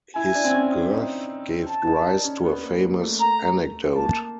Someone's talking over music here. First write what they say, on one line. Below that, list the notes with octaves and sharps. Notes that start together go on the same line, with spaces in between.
His girth gave rise to a famous anecdote.
E4 G#5
D4
C4
C#4
D#4
A5
D#4
D4
C#4
B3
A#3
A#3
A3
A#5
A#3 A5